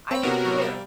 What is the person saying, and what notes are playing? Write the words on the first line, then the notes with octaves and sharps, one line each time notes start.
I do too.
C4 C#5 B5
C3 B3 C#4 F#4 A#4
A2 F#3
G3 A#3